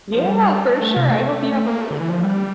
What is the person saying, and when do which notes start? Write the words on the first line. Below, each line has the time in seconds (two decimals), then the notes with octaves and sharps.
Yeah, for sure. I hope you have a really good one.
0.12 F3
0.26 G3
0.68 A3
0.82 A3
0.97 C3
1.10 A3
1.53 A3
1.67 A#3
1.81 A3
1.91 D3
2.00 E3
2.10 F3
2.24 G3